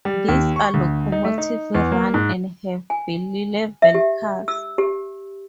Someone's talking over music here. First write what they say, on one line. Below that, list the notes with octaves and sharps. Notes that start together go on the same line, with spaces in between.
These are locomotive-run and have bilevel cars.
G3
D#2
C#6
D2
D#4
A3
D#4
E2
A#3
G#2
G#5
E5
G4
E6
G4